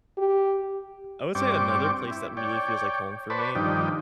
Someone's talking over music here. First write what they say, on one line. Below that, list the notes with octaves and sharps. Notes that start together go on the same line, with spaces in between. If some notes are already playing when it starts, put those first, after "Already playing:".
I would say another place that really feels like home for me,
G4
G2 C4 D5 G5 C#6 D6
E4
C#5 D5 G5
B4 C5 D5 A5 B5 C#6
G2 D#3 F3 D4 D#4 G5